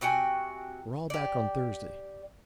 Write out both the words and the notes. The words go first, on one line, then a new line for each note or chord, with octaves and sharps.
We're all back on Thursday.
C3 F#4 G5 G#5
G4 D5